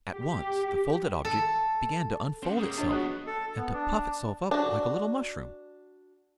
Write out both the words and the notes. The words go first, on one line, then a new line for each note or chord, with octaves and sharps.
At once the folded object began to unfold itself and to puff itself up like a little mushroom.
G4
A4
C4 C#4 F#5
G3 A#3 G#4
D4 F4 C#5 D#5
F#3 B3 F#4 D#5 F#6
A4
B3
D4
D4 F#4